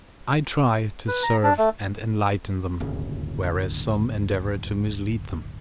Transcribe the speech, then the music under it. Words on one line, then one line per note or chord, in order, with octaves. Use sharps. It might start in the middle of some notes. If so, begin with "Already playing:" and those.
I try to serve and enlighten them, whereas some endeavor to mislead them.
B4
A#5
D4
A3
D1 G1 D#2 C#3